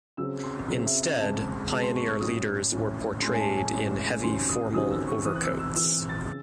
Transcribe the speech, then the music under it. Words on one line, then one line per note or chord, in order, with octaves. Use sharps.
Instead, pioneer leaders were portrayed in heavy formal overcoats.
C#3 F#3 C4 E6
C6
C#3 F#3 C4
E5
E5
C#3 G#3 C4 A5
C#3 G#3 C4 A5
C6
C#6
C#6
A2 F#3 C#4 D#6
A2 F#3 C#4
A2 G#3 C#4 C6
G#5
A5
G#5
A2 G#3 C#4
C3 D#3 F#3 C#4 C6
D#6
C3 D#3 F#3 C#4 D#6
E6
C#6
E3 C4 D#6
F#6
E6
E6
E3 C4 E6
A6
C#3